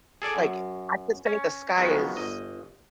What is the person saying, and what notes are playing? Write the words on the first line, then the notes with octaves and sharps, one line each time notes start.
Like, I could say the sky is,
G#4 A4 D5 G#5
F#2
C#4
D#3 F3 F#3 G#3 B3
G1 D#5